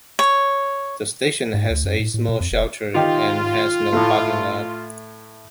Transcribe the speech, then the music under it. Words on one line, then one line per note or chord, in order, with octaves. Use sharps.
The station has a small shelter and has no parking lot.
C#5
G#2
D2
F#2
A2
A2
A#2
F2
F1
D#3 D#4 F4 G4
A2 A3